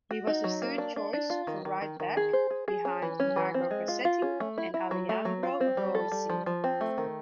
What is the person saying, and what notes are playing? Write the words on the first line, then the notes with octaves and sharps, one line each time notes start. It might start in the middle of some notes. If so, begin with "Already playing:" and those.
He was the third choice for right back behind Marco Cassetti and Aleandro Rosi.
F#4
D#4
F#3
A#3
D4
D4
D4
F4
D#3
D#3
D#3
D#3
G#4
C5
G#4
G#4
C#4
E3
C#4
E3
C4
G#3
F4
F4
C#4
A3
E4
E4
F#3
A3
F#3
F4
C4
G3
A4
G3
F3
F3
C4
A3
D#3